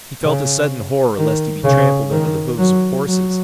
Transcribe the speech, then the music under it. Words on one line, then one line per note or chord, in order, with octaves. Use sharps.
He felt a sudden horror lest he be trampled under the hoofs of horses.
C#3
D#3
C#3
D#3
F#3
F#3